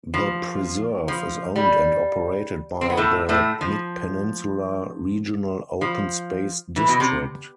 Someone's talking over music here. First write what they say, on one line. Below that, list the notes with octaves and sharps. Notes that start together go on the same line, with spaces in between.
The preserve is owned and operated by the Midpeninsula Regional Open Space District.
F3
F3
G3
C4
B3
A2 A3
A2 A3
F3
F3
E3
B2
C3